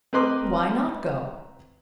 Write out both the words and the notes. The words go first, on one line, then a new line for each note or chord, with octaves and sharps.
"Why not go?"
C4 A#4 B4 D#5 C6 D6